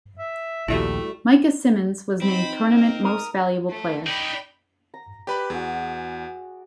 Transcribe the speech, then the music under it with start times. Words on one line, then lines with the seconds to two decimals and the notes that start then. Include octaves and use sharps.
Maika Symmonds was named Tournament Most Valuable Player.
0.19 E5
0.68 A#1 D#2 G3 A3 E4 F#4
2.22 C4 D#4 B5
2.74 A#4
3.04 A#4 D#6
3.69 A3
4.06 D#4 D5 G5 B5
4.94 A#5
5.27 G4 B4 D5 B5
5.50 E2 F#4 G#4